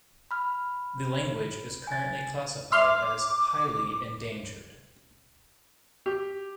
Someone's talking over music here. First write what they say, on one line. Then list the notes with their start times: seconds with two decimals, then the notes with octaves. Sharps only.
The language is currently classified as "highly endangered".
0.31 B5 F6
1.87 G#5 A6
2.72 E5 C6 D6 F6
6.06 G4